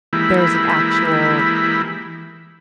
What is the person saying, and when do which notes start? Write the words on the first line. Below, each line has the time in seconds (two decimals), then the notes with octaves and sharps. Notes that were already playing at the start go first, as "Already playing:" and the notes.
there's an actual
0.13 E3 G#3 A#3 E4 G4 B5